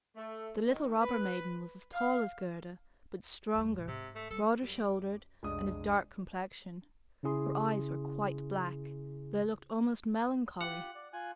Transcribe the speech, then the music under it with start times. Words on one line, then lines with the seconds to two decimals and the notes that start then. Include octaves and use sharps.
The little robber maiden was as tall as Gerda, but stronger, broader-shouldered, and of dark complexion; her eyes were quite black; they looked almost melancholy.
0.16 A3
0.67 D#3
1.01 B4
1.93 F5
3.54 D#2 G3
3.74 A2 C3
3.87 G#2 C3
4.15 A3
4.31 G3 A4
4.62 F#2 G3 D6
5.43 B1 F2 C3 G#3 D4 D#6
7.23 C#3 C#4 E4 G#4 C6
10.60 F4 G4 F#5
10.95 D5
11.13 F4 G#5 F#6